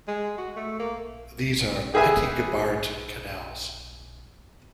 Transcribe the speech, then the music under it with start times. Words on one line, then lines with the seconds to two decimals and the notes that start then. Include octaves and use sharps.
These are "petit gabarit" canals.
0.08 G#3
0.38 F#4
0.56 A3
0.79 A#3
1.94 G4 G#4 B4 E5 G#5